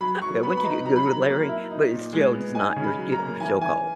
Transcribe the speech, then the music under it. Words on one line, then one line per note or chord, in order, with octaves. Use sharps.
Okay, once you get good with layering but it still it's not you're get you're still cold.
F#3 B5
F#3 C#6
B3 B5
B5
D#4 A#5
F#3 A#5
B5
F#3 A#5
A#3
E4
D#4
A#2
G#3
B3
D#4 G#5
C#3
B5
F#3
A#5
A#3
E3 G#5
E3 G#5